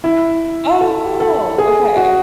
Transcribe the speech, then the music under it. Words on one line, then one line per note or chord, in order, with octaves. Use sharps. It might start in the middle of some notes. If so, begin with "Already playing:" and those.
Oh, cool. Okay.
E4
A4
A4
G#4
F#4